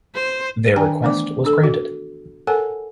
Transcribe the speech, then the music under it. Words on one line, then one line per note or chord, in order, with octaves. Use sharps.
Their request was granted.
C5
D#3 D4 D5 G5 G#5 A#5
E3 A3 B3 D4 D5 D6
D4 A4
F#4
A4 A#4 C#5 F#5 G#5 A5